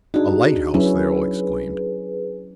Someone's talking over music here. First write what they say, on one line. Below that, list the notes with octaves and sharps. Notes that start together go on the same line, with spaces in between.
"A lighthouse!" they all exclaimed.
D4 D#4 F#4 G#4
F#3 C#4 E4 G#4 B4